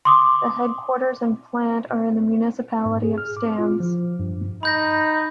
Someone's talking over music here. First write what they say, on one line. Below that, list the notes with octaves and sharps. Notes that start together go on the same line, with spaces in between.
The headquarters and plant are in the municipality of Stans.
C6 D6 D#6
G#2
G#4
F6
D6
F4
F3
G2
D#4 B5 G6 A#6